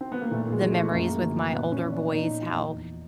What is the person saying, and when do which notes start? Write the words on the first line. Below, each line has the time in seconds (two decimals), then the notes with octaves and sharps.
the memories with my older boys, how
0.01 C4
0.12 B3
0.21 A#3
0.31 A#2 A3
0.52 G#3
0.61 F3
0.72 A3
0.92 F#2 A#3
1.21 D3 F3
1.51 A#2 B3
1.72 C#4
1.81 F3
1.92 D4
2.11 A#2 D#4
2.42 F3
2.72 E2